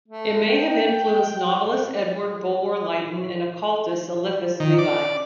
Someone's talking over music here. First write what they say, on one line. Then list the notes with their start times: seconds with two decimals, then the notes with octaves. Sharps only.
It may have influenced novelist Edward Bulwer-Lytton and occultist Eliphas Levi.
0.08 A3
0.48 G5
4.60 D#3
4.79 D5